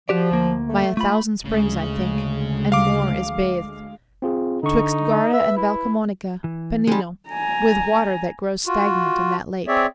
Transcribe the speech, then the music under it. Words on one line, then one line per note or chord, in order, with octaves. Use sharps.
By a thousand springs, I think, and more, is bathed, 'Twixt Garda and Val Camonica, Pennino, With water that grows stagnant in that lake.
F3 F#4 G4 D5
D2 A#3
A3
A3 F4 B5
D2 C#3 G#3
F5 D6
C4 F4 G#4
D3 D#4 C#6
B4 E5
E4
E3
F3 G3 G#3 C4 D#4
G#5 A#5
F4 F#4
C4 G#4 C#5 D5 E5